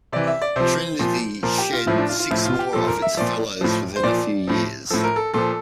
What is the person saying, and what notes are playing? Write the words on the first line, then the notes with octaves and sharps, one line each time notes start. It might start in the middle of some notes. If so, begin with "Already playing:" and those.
Trinity shed six more of its Fellows within a few years.
C3 E3 D5
E5
D5
C3 F3 C5
A#2 F3
A#2 F3 A#4
G4
F4
A2 F3 E4
D4
F4
F4
A2 F3 E4
F4
G4
A#2 F3 A4
A#4
E5
A#2 F3 D5
A2 F3
C5
A#2 F3 D5
A2 F3
A2 F3 A4
A#4
A4
A#2 F3 A4